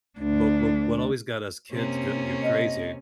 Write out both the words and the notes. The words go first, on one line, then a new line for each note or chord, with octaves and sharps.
but but what always got us kids d you crazy
D2 D4
C3 A#3 C#4
D#5